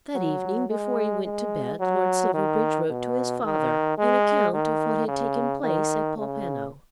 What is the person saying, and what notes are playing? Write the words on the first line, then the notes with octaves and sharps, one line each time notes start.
That evening before he went to bed Lord Silverbridge wrote to his father an account of what had taken place at Polpenno.
F#3
G#3
G#3
F#3
D#3
B2
D#3
G#3
D#3
C#3
D#3
C#3